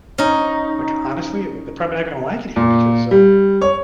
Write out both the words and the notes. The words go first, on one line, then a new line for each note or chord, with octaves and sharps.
Like, honestly, the they're probably not gonna like it here because, uh
C#4 D#4
A#2
G3
C#5